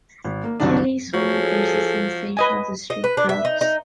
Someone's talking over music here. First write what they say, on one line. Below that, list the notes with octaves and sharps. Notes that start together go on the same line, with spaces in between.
Kelly soon becomes the sensation of the street crowds.
G#1
A#3
F#1 C2 D#3 F#3 D4
F3 F#3 G#4 A4
B4 D#5 G#5
D#5
B4
D4
E5
D#4
D#4